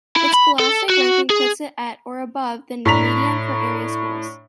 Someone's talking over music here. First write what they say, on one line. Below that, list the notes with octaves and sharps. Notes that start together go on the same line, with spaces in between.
Its scholastic ranking puts it at or above the median for area schools.
E4
B5
A4
F#4
G#4
A2 D4 A#5 B6 F7